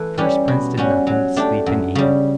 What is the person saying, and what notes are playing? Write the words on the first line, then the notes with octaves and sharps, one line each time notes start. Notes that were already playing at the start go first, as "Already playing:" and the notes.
At first Prince did nothing but sleep and eat.
Already playing: E3 A3
G3 C#4 G4
B2
G3 C#4 F#4
F#3
A3 D4 G4
F#2
C#3 G3